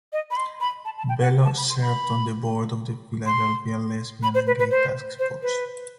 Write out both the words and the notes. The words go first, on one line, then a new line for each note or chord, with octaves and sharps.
Bello served on the board of the Philadelphia Lesbian and Gay Task Force.
D#5
B5
C6
B5
A5
A5
G5
F#5
A5
B5
C6
B5
C6
B5
C5
B4
B4
C5
C5
B4